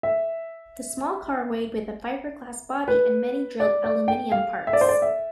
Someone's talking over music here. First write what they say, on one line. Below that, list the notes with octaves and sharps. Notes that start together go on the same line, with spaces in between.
The small car weighed with a fiberglass body and many drilled aluminium parts.
E5
B4
D5
D5
G5
F5
E5
D5
C5
D5
E5